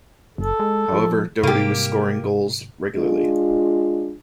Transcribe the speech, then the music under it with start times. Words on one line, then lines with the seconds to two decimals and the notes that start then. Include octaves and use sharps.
However, Doherty was scoring goals regularly.
0.38 F#1 A4
0.60 G#3
0.93 F3
1.43 G#2 C3 G3 A#3 G4
2.95 G#3 D4 F4